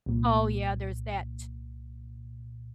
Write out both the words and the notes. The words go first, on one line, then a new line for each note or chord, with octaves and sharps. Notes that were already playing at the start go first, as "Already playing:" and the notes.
Oh, yeah, there's that t
C2 A#2